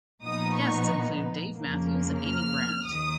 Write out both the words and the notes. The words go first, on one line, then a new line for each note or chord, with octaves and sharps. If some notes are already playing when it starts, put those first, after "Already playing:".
Guests include Dave Matthews and Amy Grant.
A#2 F3 B3 D#4 D#6
C#6
F2 C#3 F3 A#3
F6
D#2 D#3 D#6